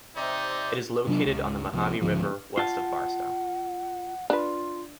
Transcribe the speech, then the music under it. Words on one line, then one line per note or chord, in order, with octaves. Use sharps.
It is located on the Mojave River, west of Barstow.
C3 D#4 C5 D5 E5
C3 F#3 C4 D4
C#2
C2 F3
C#2 G#2 D3 F3
F4 F#5 A5
D4 F4 B4